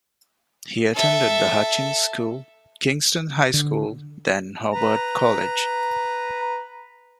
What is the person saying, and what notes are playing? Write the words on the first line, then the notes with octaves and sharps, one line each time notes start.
He attended the Hutchins School, Kingston High School, then Hobart College.
A4 E5
D3
B4 A#5